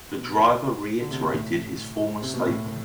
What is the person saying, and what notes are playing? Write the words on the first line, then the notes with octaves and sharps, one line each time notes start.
The driver reiterated his former statement.
B2
D3
C3
B2
A2
C3
B2
A2